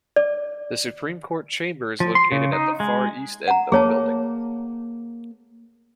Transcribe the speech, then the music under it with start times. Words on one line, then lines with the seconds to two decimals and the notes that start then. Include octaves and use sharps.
The Supreme Court chamber is located at the far east end of building.
0.16 D5
2.00 F3
2.15 C6
2.32 C#3
2.53 D#4
2.80 G#3
3.48 F#5 A#5
3.72 A#3 G#4 C#5 A5